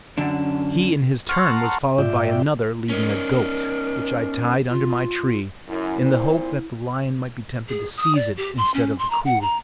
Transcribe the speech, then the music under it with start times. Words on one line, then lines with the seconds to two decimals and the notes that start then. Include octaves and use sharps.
He in his turn was followed by another leading a goat, which I tied under my tree in the hope that the lion might be tempted to seize it instead of a coolie.
0.18 F#2 D3 C#4 D4
1.29 F#5 A5 A#5 C6 C#6 F6
1.98 G#2 F4 D5 E5 G5
2.89 C#4 D#4 A#4
4.69 F4
5.69 F#2 E4
6.01 A#2 C4 C5
7.68 G#4
7.97 D#6
8.15 D5
8.36 G4
8.57 C6
8.74 C#4
8.98 C6
9.10 A#5
9.25 F#5
9.41 A#5